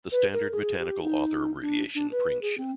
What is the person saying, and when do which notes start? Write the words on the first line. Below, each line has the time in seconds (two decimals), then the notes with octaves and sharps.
The standard botanical author abbreviation Pringsh.
0.12 B4
0.33 A#4
0.52 G#4
0.79 G4
1.03 D#4
1.61 D4
1.95 D4
2.12 B4
2.42 G#4
2.58 C4